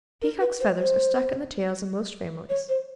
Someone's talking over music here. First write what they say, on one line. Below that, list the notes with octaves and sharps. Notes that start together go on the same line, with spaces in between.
Peacocks' feathers are stuck in the tails of most families.
A#4
B4
C5
C5
C#5
C5